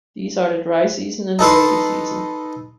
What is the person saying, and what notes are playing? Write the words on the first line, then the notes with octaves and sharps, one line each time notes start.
These are the dry season and the rainy season.
D#4 A4 B4 C6